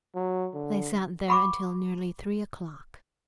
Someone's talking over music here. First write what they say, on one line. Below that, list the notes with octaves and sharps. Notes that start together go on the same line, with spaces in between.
They sat there until nearly three o'clock.
F#3
D3
F#5 B5 C#6 D6